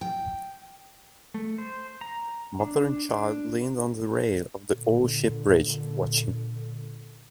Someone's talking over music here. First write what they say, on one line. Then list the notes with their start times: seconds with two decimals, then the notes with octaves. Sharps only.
Mother and child leaned on the rail of the old sheep-bridge, watching.
0.01 G5
1.34 A3
1.58 C5
2.01 A#5
2.60 D4
3.09 D4
4.71 A#2 D3